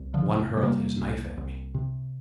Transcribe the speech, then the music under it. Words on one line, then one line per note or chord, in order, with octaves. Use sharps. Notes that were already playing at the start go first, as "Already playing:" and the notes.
One hurled his knife at me.
Already playing: C2
D3 F3
C3
G#3
C3 G3 A#3
C2
C2
C3